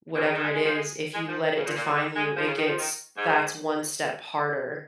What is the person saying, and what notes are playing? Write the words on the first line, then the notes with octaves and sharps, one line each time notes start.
whatever it is, if you let it define you, it gets that's one step harder
A#2
C#3
D#3
G#3
G#3
F3
G#3
G#3
F3
C#3
A#2
A#2
C#3
D#3
G#3
F3
C#3
D#3
F3
D#3
G#2